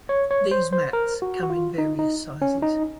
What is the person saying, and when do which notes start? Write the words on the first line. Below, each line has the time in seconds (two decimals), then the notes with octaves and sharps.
These mats come in various sizes.
0.09 C#5
0.31 C#5
0.51 C5
0.73 C5
0.93 A#4
1.22 F#4
1.43 F#4
1.50 F4
1.78 D#4
1.99 D#4
2.42 C#4
2.62 D#4